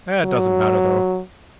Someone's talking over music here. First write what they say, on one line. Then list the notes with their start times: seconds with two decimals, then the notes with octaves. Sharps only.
It doesn't matter, though.
0.25 F#3